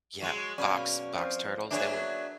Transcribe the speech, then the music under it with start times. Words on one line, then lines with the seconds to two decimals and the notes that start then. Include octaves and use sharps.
Yeah, box box turtles that would
0.22 F#3 G#3
0.58 F#2 B2 A#3 C#4 D5
1.15 F3 C4
1.71 F#3 A#3 B3 D4 G#4 C#5 E5